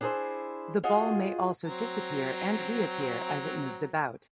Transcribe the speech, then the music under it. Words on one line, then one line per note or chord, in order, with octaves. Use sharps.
The ball may also disappear and re-appear as it moves about.
D4 E4 G#4 A4 C5 E5
F4 F#4 G#4 D#5 F#5
F#3 C4 A#5